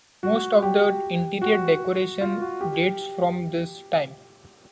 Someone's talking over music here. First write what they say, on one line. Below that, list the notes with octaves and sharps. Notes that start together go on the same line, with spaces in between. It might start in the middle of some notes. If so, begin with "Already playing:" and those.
Most of the interior decoration dates from this time.
F#4
G4
F#4
F4
F#4
G4